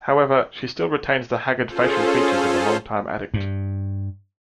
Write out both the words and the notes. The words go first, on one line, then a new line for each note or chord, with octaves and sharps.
However, she still retains the haggard facial features of a long-time addict.
C#4 F4 G#4 A4 C5
G2